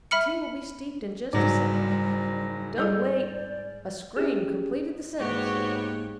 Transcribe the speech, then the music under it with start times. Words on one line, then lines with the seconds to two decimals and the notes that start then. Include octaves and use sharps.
"The tea will be steeped in just a second. Don't wait--" A scream completed the sentence.
0.11 E5 B5 F6 C#7
1.33 F#1 G#2 F#3 G3 D5
2.78 G3 G#4 A4 D5 G6
4.17 C#4 G4 G#4
5.20 G#2 A#3 B3 F#4 G4 C#5